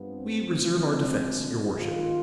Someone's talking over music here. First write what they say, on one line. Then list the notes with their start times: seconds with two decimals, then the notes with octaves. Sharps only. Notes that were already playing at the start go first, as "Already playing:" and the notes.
"We reserve our defence, your worship."
Already playing: G2 F3 B3
0.09 C4
0.66 D2 D3 F3 G#3 C4
1.22 D4
1.79 D#2 D#3 G#3 F4